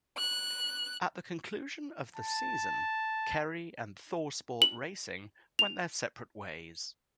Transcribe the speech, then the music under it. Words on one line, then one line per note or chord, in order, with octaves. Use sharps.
At the conclusion of the season, Kerry and ThorSport Racing went their separate ways.
F#6
A5
F#7
F7